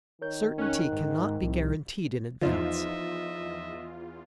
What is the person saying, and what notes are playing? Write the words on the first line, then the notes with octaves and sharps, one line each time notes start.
Certainty cannot be guaranteed in advance.
D#3 A#4 C#5 G6
F2 C#4 D#4 F#6
G#2
C2 A2 F3 E4
E2 F3 D#4 F4 D#5 E5